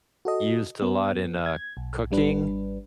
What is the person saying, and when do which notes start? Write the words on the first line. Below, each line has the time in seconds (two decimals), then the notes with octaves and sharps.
used a lot in, uh, cooking,
0.25 F#4 A4 D#5
0.82 B3
1.46 G#6
1.77 B1
2.11 G#1 G3 D4 B4